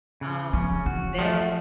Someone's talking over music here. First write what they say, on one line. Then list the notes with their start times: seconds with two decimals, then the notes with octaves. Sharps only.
um, that
0.21 C#3
0.53 F3 C#4
0.86 E3 F#4
1.18 F3 A3